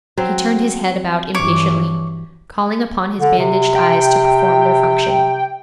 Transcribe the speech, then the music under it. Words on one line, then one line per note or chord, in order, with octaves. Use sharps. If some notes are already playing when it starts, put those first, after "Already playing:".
He turned his head about impatiently, calling upon his bandaged eyes to perform their function.
F#3 C4
G2 E3 C#5 D6
D3
C3
G5